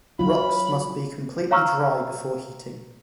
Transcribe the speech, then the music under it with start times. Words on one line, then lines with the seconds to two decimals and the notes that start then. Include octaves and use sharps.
Rocks must be completely dry before heating.
0.19 F#3 F4 B5
1.51 C#5 F5 A#5 C#6 E6 F6